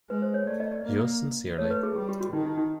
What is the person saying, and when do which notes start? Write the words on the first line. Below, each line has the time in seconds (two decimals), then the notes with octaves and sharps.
Yours sincerely.
0.10 G#3 B4
0.22 C5
0.34 C#5
0.47 A3 D5
0.60 D#5
0.71 D5
0.84 A#3
1.58 A3 C#5
1.70 B4
1.83 G#4
1.96 G3 G4
2.09 G4
2.21 F#4
2.33 D#3 D#4
2.45 D#4
2.58 D#4